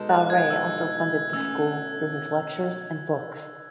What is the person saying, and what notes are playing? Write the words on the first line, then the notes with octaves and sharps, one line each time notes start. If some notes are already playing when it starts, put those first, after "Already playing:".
Faure also funded the school through his lectures and books.
Already playing: B2 G#3 D#4 A4
F#6
G#6
E6
B2 A3 C#4 E6